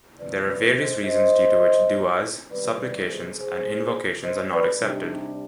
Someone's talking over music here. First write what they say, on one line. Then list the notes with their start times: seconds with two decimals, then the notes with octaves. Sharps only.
There are various reasons due to which Du'as, supplications and invocations are not accepted.
0.18 D2 C3 F3 B4 D5
0.47 B4 D5
0.76 C5 D#5
1.05 C5 D#5
2.50 C3 D#3 G3 B3 B4 D5
2.79 B4 D5
3.07 G#4 C5
3.37 G#4 C5
4.24 C5 D#5
4.53 B4 D5
4.82 C3 G3 D4 D#4 G4
5.10 D#4 G4